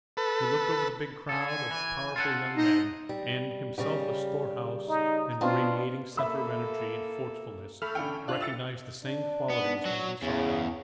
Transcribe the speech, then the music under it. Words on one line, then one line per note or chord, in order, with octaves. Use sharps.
He looked over the big crowd of powerful young men, and, himself a storehouse and radiating center of energy and forcefulness, recognized the same qualities when he saw them.
A4 B4
D3 A4 G#5
E3
F4 A4 F#5
D#4 C5 D#5 A#5
G3
C#3 G3 G4
D#4
B2 C4 D4 F4
A#3 A4 E5 B5 E6
A3 A4 B5 F6
E2 D3 C#4 F5 G5
D4 F4 F#6
E5 E6 A6 C#7
D4
B3
F#3 F#4
E2 C#3